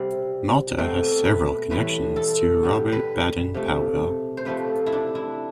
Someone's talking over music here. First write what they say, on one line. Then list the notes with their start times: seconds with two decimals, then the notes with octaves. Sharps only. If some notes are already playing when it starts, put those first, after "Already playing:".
Malta has several connections to Robert Baden-Powell.
Already playing: C3 G3 C4
0.78 B2 A3 C4
1.24 B4
1.70 A2 E3 G3 B4
2.16 A4
2.63 D3 G3
2.92 B4
3.54 C3 F3 A3
4.37 C5
4.45 C3 F3 A3 B4
4.86 E4
4.92 D4
5.15 E4